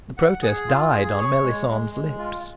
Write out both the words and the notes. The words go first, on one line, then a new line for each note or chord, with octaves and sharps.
The protest died on Melisande's lips.
F#5
G#4
F4
G#4
C#5
G#3
G#3
G#3
F4